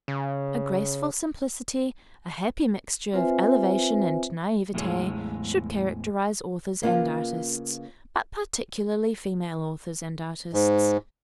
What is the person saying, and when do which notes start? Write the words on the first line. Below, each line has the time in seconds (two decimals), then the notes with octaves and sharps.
A graceful simplicity, a happy mixture of elevation and naivete, should characterise authors and artists, but particularly female authors and artists.
0.08 C#3
3.13 C4 F4 B4 C5 E5 G#5
4.74 E2 A2 E3 G#3 G#4 C#5
6.82 C#3 A#3 B3 F4
10.53 G#2